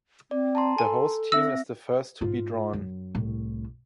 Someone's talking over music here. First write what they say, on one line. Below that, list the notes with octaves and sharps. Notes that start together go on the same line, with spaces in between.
The host team is the first to be drawn.
C4 D5
A5 A#5 C6
A4 G#5
C4 E5 E6 A#6
G#2 F4
F#2
C2 A2